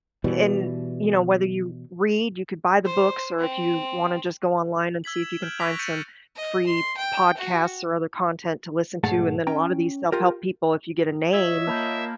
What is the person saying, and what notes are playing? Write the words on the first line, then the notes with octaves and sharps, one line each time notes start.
and, you know, whether you read, you could buy the books, or if you wanna just go online and see if you can find some free podcasts or other content to listen to, and then a lotta these self-help people if you get a name,
B2 E3 G3
C5
C4
E6 G#6 B6 F#7
E7
F6 G6 G#6 D7 F#7
C#6 F#6 A#6 B6 D7 F7
F#6 G6 A6 C#7 D#7 F#7
D#5
C6
G5
F#4
B1 G#2 A3 G#4 F#5 A5
C#4 G5 A#5
F4 G4 A#4
F4 C#5 D#5 E5 G#6
A#3 A5 B5 G6